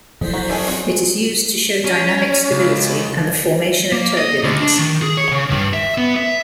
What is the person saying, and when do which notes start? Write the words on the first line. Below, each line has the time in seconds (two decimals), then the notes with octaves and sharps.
It is used to show dynamic stability and the formation of turbulence.
0.21 F3 F#3 E4 C5
0.33 F#4 C5 A#5
0.49 F#2 D#4 G#4 A4 D5
0.67 C4 F4 F#4 G#4 C#5
1.85 C#4
2.51 C#2
3.93 A#3
4.17 D#5
4.44 D2
4.60 D4
4.79 D#3
5.02 G#4
5.17 C#5
5.31 C#3
5.50 G2
5.74 E5
5.98 B3
6.16 E5